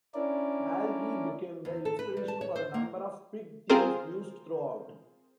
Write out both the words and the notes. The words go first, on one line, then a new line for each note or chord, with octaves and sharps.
"Algie" became the inspiration for a number of pig themes used throughout.
C#4 D4 E4 A#4 D5
E2
A4
B4
G3
A5
C#5
C5
A#3
C4 F4 G#4 A#4 C5